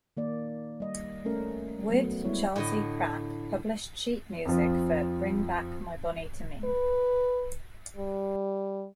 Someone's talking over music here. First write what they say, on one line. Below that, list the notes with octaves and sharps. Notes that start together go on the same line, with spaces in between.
Wood, Charles E. Pratt published sheet music for "Bring Back My Bonnie to Me".
D#3 A#3 D5
G3 D#5
A3 C#4 A#4
F#3 A3 B3
G3 G#3 B3 E4 C#5
A2 D3 D#5
F2 F3
B4
G3